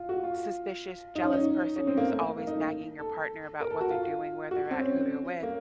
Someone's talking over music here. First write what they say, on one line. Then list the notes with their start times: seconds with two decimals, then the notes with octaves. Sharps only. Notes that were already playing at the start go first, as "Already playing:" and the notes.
suspicious, jealous person who's always nagging your partner about what they're doing, where they're at, who they're with,
Already playing: F4
0.09 F#4
0.24 F4
1.15 D#4
1.23 C#4
1.33 D#4
1.76 C#4
1.87 C4
1.97 A#3
2.07 A3
2.37 A#3
2.47 D#4
2.99 A4
3.60 A#4
3.70 A4
3.81 F#4
3.90 F4
4.51 F#4
4.71 C4
4.81 C#4
5.43 A#3